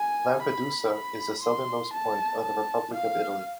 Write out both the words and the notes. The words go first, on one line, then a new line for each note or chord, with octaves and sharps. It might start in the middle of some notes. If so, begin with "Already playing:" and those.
Lampedusa is the southernmost point of the Republic of Italy.
Already playing: G#5
B5
B5
C6
A5
A5
F5